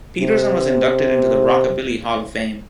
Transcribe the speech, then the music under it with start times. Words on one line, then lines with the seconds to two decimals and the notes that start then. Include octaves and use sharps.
Peterson was inducted into the Rockabilly Hall of Fame.
0.21 C3